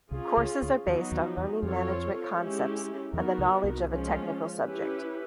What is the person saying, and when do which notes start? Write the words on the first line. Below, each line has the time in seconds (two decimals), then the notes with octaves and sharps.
Courses are based on learning management concepts and the knowledge of a technical subject.
0.11 C2 C3 C#4 F4 G#4
0.37 C#2 C#3
0.62 D2 D3
0.87 D#2 D#3 F#3 B3 D#4
1.12 D#2 D#3
1.37 E2 E3
1.62 F2 F3 C4 F4 A4 C#5
2.37 G#3 C#4 E4 G4
3.13 E2 E3 B3 D#4 F#4 A#4
3.38 C#2 C#3
3.64 C2 C3
3.89 F3 G#3 C#4 F4
4.65 C#4 E4 G4 B4